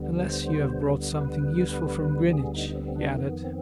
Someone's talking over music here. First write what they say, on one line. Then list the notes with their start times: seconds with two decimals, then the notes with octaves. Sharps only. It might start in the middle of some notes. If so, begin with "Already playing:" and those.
"Unless you have brought something useful from Greenwich," he added.
Already playing: D2 D3 G3 B3
0.23 C5
0.65 C5
1.21 B4
2.33 G#4
2.54 D#4
2.75 C4
2.88 C4
2.96 D4
3.17 F2 D#3 B3
3.44 C4